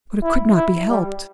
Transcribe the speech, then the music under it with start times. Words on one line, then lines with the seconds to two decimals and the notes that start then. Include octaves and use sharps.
But it could not be helped.
0.23 E4
0.56 E4
0.89 G3